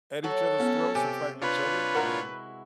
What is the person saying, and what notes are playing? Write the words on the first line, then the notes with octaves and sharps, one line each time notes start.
at each other's throats and fighting each other, then,
F#3 F#4 A4
B3 C#4
C3 G4 G#5
D4 F4 B4 C#5
G#3 E4 F#4 A#4 F#5 A#5